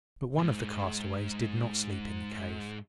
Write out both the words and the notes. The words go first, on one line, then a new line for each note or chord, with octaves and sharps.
But one of the castaways did not sleep in the cave.
D2 G#2